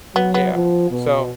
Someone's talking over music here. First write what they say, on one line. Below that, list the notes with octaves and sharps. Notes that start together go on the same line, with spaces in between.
Yeah. So,
F#3 B3
B3
F3
B2